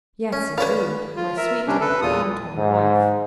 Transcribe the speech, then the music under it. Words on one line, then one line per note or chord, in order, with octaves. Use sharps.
"Yes, indeed; my sweetheart and my wife."
C#4
B3 B4 C#5 D5 F5
F4
A#4 E5
C3 G3 C#4 D4
A4 B4
E2 A#2 F4 D#6
G#2